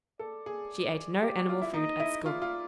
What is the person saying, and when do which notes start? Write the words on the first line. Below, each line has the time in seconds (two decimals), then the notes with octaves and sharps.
She ate no animal food at school.
0.19 A4 D5
0.46 G#4
1.22 G4 D5
1.49 F4
1.62 E4
1.74 D#4 D#5
2.00 E4
2.26 F4 D5
2.42 F4